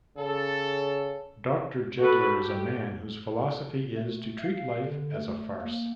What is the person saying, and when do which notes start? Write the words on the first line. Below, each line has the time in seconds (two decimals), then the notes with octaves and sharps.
Doctor Jeddler is a man whose philosophy is to treat life as a farce.
0.18 C#3 A4
1.99 F#4 A4 B4
2.40 G4
3.97 A3
4.43 F5
4.85 D3
5.15 A3
5.61 A#3